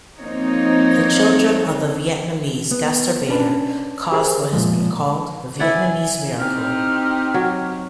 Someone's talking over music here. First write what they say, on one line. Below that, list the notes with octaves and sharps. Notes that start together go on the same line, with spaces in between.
The children of the Vietnamese Gastarbeiter caused what has been called the "Vietnamese miracle".
F3 A#3 C4 D#4 C#5
B3
C#4 D4 B4
G4 G#4 A#4 C5 E5 G#5
A#2 D#3 F3 G#3
E4 D5 F#5 G#5
C4 D#4 G4 F6
F#3